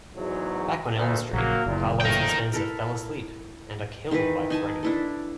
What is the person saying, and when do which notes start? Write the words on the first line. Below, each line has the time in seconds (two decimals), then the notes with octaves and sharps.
Back on Elm Street, Carlos and Spencer fall asleep and are killed by Freddy.
0.17 E2 G#2 F#3
0.96 D2 A#2
1.33 A#1 C#3 F#3 A#3
1.66 F#1 E2 A#2
2.01 A#2 F3 A3 A#4 G5
2.53 E4 A4 A#4
4.11 D#3 E3 E4 B4
4.50 D#4 G#5 A5
4.83 D4 E4 A4